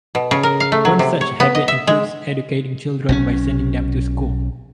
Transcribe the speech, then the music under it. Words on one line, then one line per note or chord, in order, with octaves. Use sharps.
One such habit includes educating children by sending them to school.
B2
C#3
A#4
F5
A3
F#3
C3
C#5
B3
D#5
E5
G#3
B1 F#3 C#4